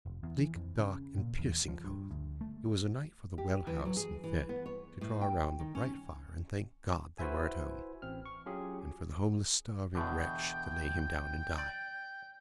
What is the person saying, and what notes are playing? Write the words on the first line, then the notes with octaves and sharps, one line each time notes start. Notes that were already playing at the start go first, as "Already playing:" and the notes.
Bleak, dark, and piercing cold, it was a night for the well-housed and fed to draw round the bright fire and thank God they were at home; and for the homeless, starving wretch to lay him down and die.
F1
E2
E3
F2
C#3
A#2
E2
F3
G2
D2
A3
G4
E3
F#3
G#4
E3
B3
C#5
A2
G5
D#3
C#4
E4 F#4 B4 C5 E5 G#5
A1 C4 F6
C#6
F#3 C#4 F4 G4 G#4
E2 B2 D3 G5
D5